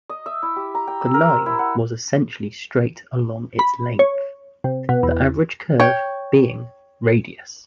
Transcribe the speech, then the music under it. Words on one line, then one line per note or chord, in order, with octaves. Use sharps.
The line was essentially straight along its length, the average curve being radius.
D#5
E5
E4
G4
A#5
G5
E6
A#4
C5
E4
F#5
B5
C#5
C3
B2
E2
C#5 G5